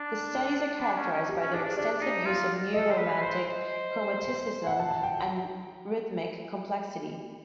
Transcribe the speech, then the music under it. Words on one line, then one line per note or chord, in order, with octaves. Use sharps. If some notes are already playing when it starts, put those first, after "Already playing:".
The studies are characterized by their extensive use of neo-romantic chromaticism and rhythmic complexity.
Already playing: D4
D4
C#4
C#4
G4
C#4
D4 G#4
D4
D4 D5
D#4
F4
A4 D#5
C5
B4
C5
C5
F#5
A5
A5
G5